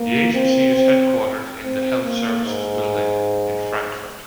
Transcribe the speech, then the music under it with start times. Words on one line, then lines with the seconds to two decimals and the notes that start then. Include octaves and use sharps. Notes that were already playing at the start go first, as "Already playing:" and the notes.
The agency is headquartered in the Health Services Building in Frankfort.
Already playing: A#3
0.34 C4
0.75 C4
1.60 C4
2.02 A#3
2.45 G#2